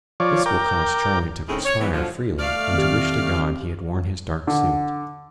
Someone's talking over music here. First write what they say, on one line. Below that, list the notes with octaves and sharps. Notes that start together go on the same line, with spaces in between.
This will cause Charley to perspire freely and to wish to God he had worn his dark suit.
F3 C#5 D5
A#4 G5 D6
A2 D#3 A3 C4 C#4 G#4
C#5
E3 B3
D3 F3 F#3
A3 D5 F5 F6
E2 D#3 C4 G4
D3